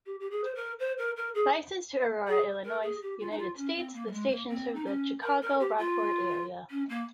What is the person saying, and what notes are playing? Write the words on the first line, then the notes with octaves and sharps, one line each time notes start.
Licensed to Aurora, Illinois, United States, the station serves the Chicago, Rockford area.
G4
G4
G#4
C5
A#4
C5
A#4
A#4
G#4
G#4
A#4
G#4
G4
F4
D#4
F4
C#4
C4
A#3
G3
G#3
A#3
C4
D#4
C#4
A#4
A#4
G4
F4
C#4
A#3